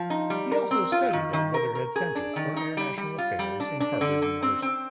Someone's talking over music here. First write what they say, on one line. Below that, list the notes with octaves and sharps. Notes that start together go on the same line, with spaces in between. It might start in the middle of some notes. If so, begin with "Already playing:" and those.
He also studied at Weatherhead Center for International Affairs in Harvard University.
Already playing: F3
D#4
G3
A#4
C4
F4
D#3
D#3
A#4
A#4
G#4
D4
D#3
D#4
G3
G3
F4
G3
D4
D4
D3
D3
C4
C4